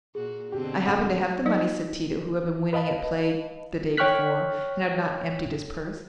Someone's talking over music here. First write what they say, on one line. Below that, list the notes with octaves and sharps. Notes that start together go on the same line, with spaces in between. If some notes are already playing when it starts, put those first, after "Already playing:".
"I happen to have the money," said Tito, who had been winning at play the day before, and had not emptied his purse.
A#2 F#4 G#4
B2 D3 C4 G4
G#2 F#5
F#3 D#4 D5
B4 D#5 F5 A5 B5
C#5 G5 C#6 F6 F#6 B6